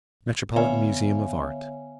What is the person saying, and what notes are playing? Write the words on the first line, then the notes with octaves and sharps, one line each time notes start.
Metropolitan Museum of Art.
D3 B3 C#5 E5 F5 G#5